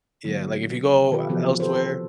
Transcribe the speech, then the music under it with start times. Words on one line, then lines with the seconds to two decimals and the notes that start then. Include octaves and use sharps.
Yeah, like, if you go elsewhere
0.25 D3 F#3 A#3
1.11 B2 D#3 F4 G4 A4 B4
1.29 C3 E3 F3 B3 F#4 G#4
1.60 G4 A4 B4 C5